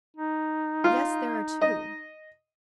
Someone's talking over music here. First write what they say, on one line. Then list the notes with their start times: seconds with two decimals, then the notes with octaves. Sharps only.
"Yes, there are two."
0.16 D#4
0.84 F4
1.61 D#5